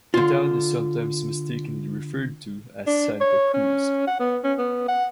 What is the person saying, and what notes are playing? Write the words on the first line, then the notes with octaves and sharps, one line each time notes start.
The town is sometimes mistakenly referred to as Santa Cruz.
D3 F4
D4
C#5
C#4
F#5
B3
C#4
B3
F#5